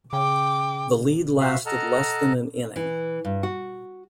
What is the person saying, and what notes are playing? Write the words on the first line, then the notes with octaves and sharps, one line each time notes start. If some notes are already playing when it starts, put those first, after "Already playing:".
The lead lasted less than an inning.
C#3 G5 D6
C4 F#4 E5 F5
A4 D#5 F#5 A5 A#5 F6
E3
G2
F#4